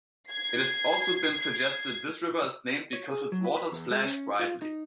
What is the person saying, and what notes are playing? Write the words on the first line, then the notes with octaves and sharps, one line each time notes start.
It has also been suggested this river is named because its waters flash brightly.
G#6 C7
C#5
G#4
F#3
B4
B4
E2
G#3
C#4
F4
D#4